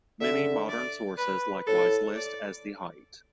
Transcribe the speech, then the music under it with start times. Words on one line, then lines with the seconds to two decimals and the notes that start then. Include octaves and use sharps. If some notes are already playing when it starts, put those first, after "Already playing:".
Many modern sources likewise list as the height.
0.21 D3 E5
0.69 D5
1.18 B4
1.67 A2 A4
2.16 D5